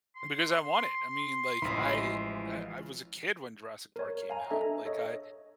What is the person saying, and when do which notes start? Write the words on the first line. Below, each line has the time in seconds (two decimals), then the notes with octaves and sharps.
Because I want it, I mean, like, I I I was a kid when Jurassic Park came out, like I
0.16 C6
1.62 A1 E3 F3 G#3 B5
3.96 A#4 C#5
4.30 F5 G#5 A#5
4.50 D4 A4 D#5 E5 A#5
4.85 A4 C#5 D#5